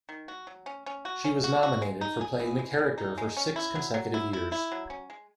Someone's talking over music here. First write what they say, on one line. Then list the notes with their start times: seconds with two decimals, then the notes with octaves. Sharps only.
She was nominated for playing the character for six consecutive years.
0.09 D#3
0.28 F#4
0.47 F#3
0.66 C#4
0.86 C#4
1.05 F#4
1.25 C#4
1.44 F#4
1.63 F#4
1.82 G#3
2.01 D#4
2.21 G#4
2.40 E3
2.59 G#3
2.79 E3
2.98 D#4
3.18 G#3
3.37 C#4
3.56 E4
3.75 F#3
3.94 F#3
4.14 E4
4.33 E4
4.52 E4
4.72 F#3
4.90 C#4
5.10 G#3